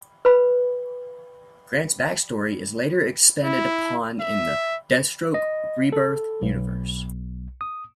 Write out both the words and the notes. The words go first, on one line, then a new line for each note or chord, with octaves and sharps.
Grant's backstory is later expanded upon in the "Deathstroke: Rebirth" universe.
B4 B5
E4
E5
D#5
A4
B1
D#6